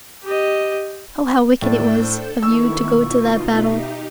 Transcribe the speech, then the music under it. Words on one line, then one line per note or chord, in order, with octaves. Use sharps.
Oh! how wicked it was of you to go to that battle!
G4 D#5
A2 D4 D5 E6 G6
A4 C5
D#3 B3 E4 C#6 E6
B2 D#4 F4
D#4 G4 E5